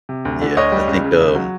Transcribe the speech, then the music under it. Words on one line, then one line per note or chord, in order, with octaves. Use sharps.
Yeah, I think, um,
C3
D2
D3
D2 C#5 D#5
G3
C#2
C#3
C#2
F#3